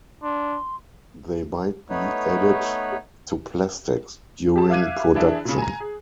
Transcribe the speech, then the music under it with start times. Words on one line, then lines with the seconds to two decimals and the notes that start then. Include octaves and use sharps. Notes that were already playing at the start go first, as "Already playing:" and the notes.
They might be added to plastics during production.
0.23 D4 C6
1.90 A3 B3 D#4 B4 C#5
4.56 G4 G#4 A5
4.70 E5 F5 D6 F#6 G#6 D#7
5.15 E3 D4 E4 G#4
5.45 A#2 C#3
5.58 G#5 A#5
5.80 G#4